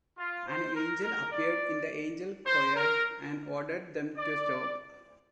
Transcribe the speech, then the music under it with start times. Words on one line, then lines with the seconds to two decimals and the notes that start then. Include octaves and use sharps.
An angel appeared in the Angel Choir and ordered them to stop.
0.18 F4
0.46 C5
0.75 A#4
1.03 A#4
1.32 D5
2.45 C5
2.75 A#4
4.18 D5